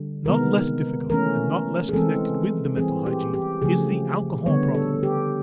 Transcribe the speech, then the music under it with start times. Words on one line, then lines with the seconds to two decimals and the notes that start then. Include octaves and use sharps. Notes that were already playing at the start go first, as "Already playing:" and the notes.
Not less difficult and not less connected with the mental hygiene is the alcohol problem.
Already playing: D3 G3
0.25 C3 D#3 G#3 B3 A#4
1.10 E3 A3 C#4 A#4
1.89 G#4
1.93 E3 G#3 C4 A4
2.77 E3 G3 C4 G#4
3.06 G4
3.34 G4
3.62 C#3 F3 A3 G#4
4.46 D3 G3 B3 C#5
4.75 A4
5.03 G4